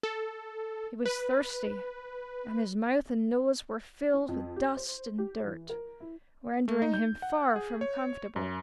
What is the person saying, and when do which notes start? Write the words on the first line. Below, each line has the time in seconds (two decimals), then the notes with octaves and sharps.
He was thirsty and his mouth and nose were filled with dust and dirt, rendering him far from comfortable.
0.03 A4
1.06 B4
4.14 C#4
4.28 F2
4.56 G4
4.77 C5
5.18 G4
5.45 E3
5.69 A#4
6.00 E4
6.68 A3
6.82 D#4
6.94 G6
7.22 F#5
7.56 G#4
7.81 C#5
8.36 F#2